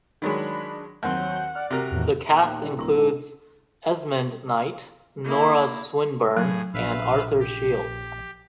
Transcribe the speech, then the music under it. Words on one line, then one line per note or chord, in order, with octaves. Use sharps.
The cast includes Esmond Knight, Nora Swinburne and Arthur Shields.
D#3 F#3 G#3 D4 B5
D#2 F#3 C4 F#5 G6
D5 F6
C3 F#4 A#4
E2 A2 D#3
A#2 B3 E5
D#2 G5 B5 F#6
D3 E4
D1 E4 A#4 A#5
G#2
A#3 E4
A2 F#3 G#4
A#1 B4 E5 F5
G4